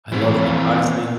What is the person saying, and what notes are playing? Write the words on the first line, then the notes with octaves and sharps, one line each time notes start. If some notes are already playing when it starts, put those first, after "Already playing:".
I love that, honestly.
E3 C4